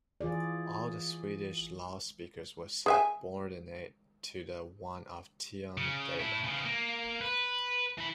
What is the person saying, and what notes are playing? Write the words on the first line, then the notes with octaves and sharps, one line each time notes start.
All the Swedish lawspeakers were subordinate to the one of Tiundaland.
E3 F4 G#4 D5
G#4 E5 G#5
C#3
A2 E4
C#3 B3
A#3
B4
E3 B5